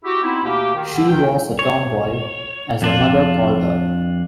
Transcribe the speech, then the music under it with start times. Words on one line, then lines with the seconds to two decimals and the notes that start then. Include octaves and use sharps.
She was a 'tomboy', as her mother called her.
0.04 E4 F#4 G4
0.23 B3 C4 D#4 E4
0.44 D2 B2 A#3 G4
0.74 D#3
0.93 D3
1.07 C#2 D#3 G5
1.59 C#5
2.82 F2 D4 F4